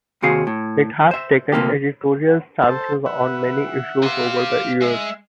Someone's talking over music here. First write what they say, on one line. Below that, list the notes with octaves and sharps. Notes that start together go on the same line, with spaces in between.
It has taken editorial stances on many issues over the years.
D#2 C3 C4 F#4 G#4 F5
A2
C5 E5
D2 C3 A#3 G4
A4 C5
B4 E5 F#5
G4 F5 C6
G#3 E5